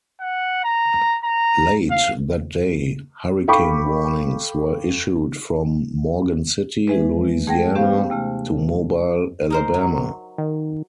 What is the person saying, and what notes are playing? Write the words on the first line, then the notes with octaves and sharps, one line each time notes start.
Late that day, hurricane warnings were issued from Morgan City, Louisiana, to Mobile, Alabama.
F#5
A#5
A#5
F5
A4 F5 G5 B5 C#6 D6
E3 G#3 B4
A3 G#4 F#5 G5 A5 A#6
B3 C#4 G4 C5 F5
D#2 C3 A3 F6
D#4 A#4 C5
F#3
D#3